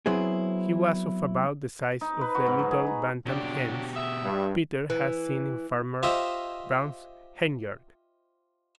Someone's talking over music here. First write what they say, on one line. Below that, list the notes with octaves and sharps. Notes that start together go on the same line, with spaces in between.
He was of about the size of the little Bantam hens Peter had seen in Farmer Brown's henyard.
F#3 B3 C4 E4 G#4
D#4
B4
F#4
G#2
F#3
G#4
A#5
F2 B2 F#3 D4 G4
F#4 G#4 E5
G2
E3
F4 G4 C5 D#5 E5